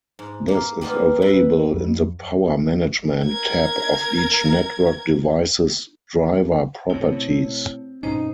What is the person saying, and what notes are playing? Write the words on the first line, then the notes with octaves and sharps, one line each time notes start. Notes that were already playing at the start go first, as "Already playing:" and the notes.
This is available in the Power Management tab of each network device's driver properties.
G#2
A#3
G3 A#3 B3 D#4 F4
E4 B4
F2
A#4 G#6
F#2 B2 A3 C4 E4 C#5 G7
B2
G2 B2 C#4 D#4 C5 D#5